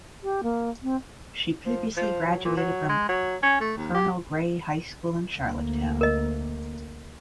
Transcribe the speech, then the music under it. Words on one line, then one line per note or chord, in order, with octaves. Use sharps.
She previously graduated from Colonel Gray High School in Charlottetown.
G4
A#3
C4
F3
F3
F#3
A#2
F#3
G#3
F#3
C#4
A3
D#2
G4
D2 A#3
A#4 D#5